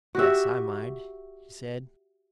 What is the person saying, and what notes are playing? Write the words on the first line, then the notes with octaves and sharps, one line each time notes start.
"Yes, I mind," he said.
F#4 G4 E5